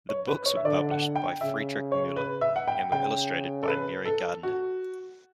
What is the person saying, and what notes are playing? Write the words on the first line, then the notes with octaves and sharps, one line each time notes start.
The books were published by Frederick Muller and were illustrated by Mary Gardiner.
C#5
B4
C#5
E5
D3 D5
F#5
G5
C#3 E5
C#5
B4
E5
F#5
G5
C#3 G5
A4
B4
A4
F#4